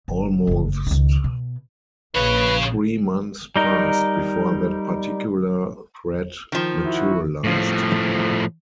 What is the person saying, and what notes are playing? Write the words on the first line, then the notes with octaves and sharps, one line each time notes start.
Almost three months passed before that particular threat materialized.
G1
F#1 A3
C#2 D#3
B2
A#1 C#3 B4 C#5
G3 D#4 A#4
D#3 F3
E4 F#4
A2 F3